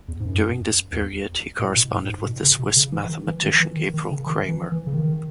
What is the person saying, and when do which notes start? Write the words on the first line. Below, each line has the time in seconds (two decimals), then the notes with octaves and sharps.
During this period he corresponded with the Swiss mathematician Gabriel Cramer.
0.08 E2
0.20 G#2
0.25 F#2
0.92 E2
1.59 A2
1.75 B2
1.92 G#2
2.09 G#2
2.26 B2
2.42 C#3
2.59 B2
2.76 C#3
2.92 E3
3.09 D#3
3.27 E3
3.43 D#3
3.60 E3
3.76 D#3
3.94 D#3
4.10 C#3
4.27 D#3
4.48 E3
4.72 E3
4.87 C#3
4.93 D#3